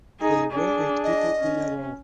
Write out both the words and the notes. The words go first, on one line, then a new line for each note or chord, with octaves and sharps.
There were eight people in a row.
D#4 G#4
D4 G#4
D#5
C#4